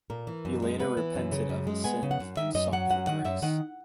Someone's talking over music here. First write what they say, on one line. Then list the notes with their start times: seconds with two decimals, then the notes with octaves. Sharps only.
He later repented of his sins and sought for grace.
0.10 A#2 A#4
0.27 E3
0.45 F#2
0.62 G#3
0.79 B3 B4
0.97 E3
1.15 F#2
1.32 C#3
1.49 F#2
1.67 G#3
1.84 B3 G#5
2.03 C#3
2.11 F#5
2.20 F#2
2.37 D#3 E5
2.55 F#2 D#5
2.72 F#3 F#5
2.90 F#2 F#5
3.07 D#3 F#5
3.25 F#2 E5
3.42 D#3 F#5